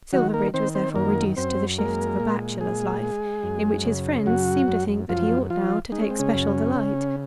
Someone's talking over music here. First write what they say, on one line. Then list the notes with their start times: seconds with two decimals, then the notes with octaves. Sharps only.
Silverbridge was therefore reduced to the shifts of a bachelor's life, in which his friends seemed to think that he ought now to take special delight.
0.13 D#3 F#3 F#4
0.34 A#3 A#4
0.54 D#3 C4 C5
0.75 C4 C5
0.95 F#2 A#3 A#4
1.36 F#2 C4 C5
1.78 G#3 A#3 A#4
2.20 A#2
2.61 G#3 G#4
3.03 G#3
3.43 F#2
3.85 C#3
4.26 F#2 F#3 F#4
4.68 F#2
5.09 F#2 F3 F4
5.50 F3 F4
5.92 G#3 D#4
6.01 C#4
6.10 C4
6.19 C#3 C#4
6.34 F#2
6.75 C#3